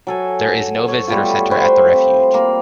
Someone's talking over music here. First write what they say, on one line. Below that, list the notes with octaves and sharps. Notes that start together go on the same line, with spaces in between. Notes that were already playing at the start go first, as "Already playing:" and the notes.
There is no visitor center at the refuge.
F#3 A4 G#5
C#5
G3 A3 B3 F4
B4 C5 G5 C#6
C4
A#3